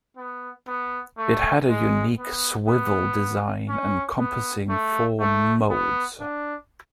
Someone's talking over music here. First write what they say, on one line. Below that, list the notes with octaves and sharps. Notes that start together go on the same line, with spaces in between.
It had a unique swivel design encompassing four 'modes'.
B3
B3
A3
G#3
B3
B3
C#4
B3
A3
A3
B3
D4